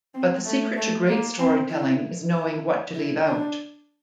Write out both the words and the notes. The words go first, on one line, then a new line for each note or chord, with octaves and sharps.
But the secret to great storytelling is knowing what to leave out.
C4
A3
A3
A#3
C4
E4
E4
E4
D4